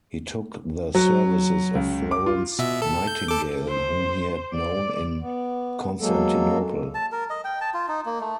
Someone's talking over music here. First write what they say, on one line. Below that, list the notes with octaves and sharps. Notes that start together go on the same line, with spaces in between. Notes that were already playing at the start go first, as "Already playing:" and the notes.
He took the services of Florence Nightingale whom he had known in Constantinople.
F#3
C#2
D6
F4
B2 E5
A4
G6
A4 D6
C5
D5 D6
B3
F#3 G#3 A#3 A4
A5
A#4
D#5
G5
A5
F4
D#4
A#3
A3